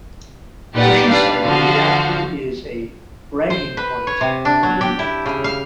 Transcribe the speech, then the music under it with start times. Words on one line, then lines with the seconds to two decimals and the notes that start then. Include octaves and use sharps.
Hershey said the reactor is a "bragging point" for Reed.
0.75 A#2 D#4 G4 B4 D5 F#5
1.07 G3 D4 B4 F5
1.42 D3 F3 F#4 F5
3.50 C5
3.77 B4
4.07 C#5
4.21 C3
4.45 D4
4.63 F#3
4.81 G4
4.99 E4
5.26 C#3
5.44 F5